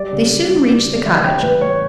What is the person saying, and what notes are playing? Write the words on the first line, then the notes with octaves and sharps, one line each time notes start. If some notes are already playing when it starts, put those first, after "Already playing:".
They soon reached the cottage.
Already playing: G3 D5
C#3
C#3
G3
G3
C#3
D5
E3 E5
G3 G5
A2 B4
A2 C#5